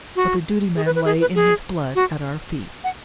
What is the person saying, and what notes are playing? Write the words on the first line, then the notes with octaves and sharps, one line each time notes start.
But the duty man lay in his blood at our feet.
F#4
G#4
B4
B4
G#4
B4
G#4
F#4
F#5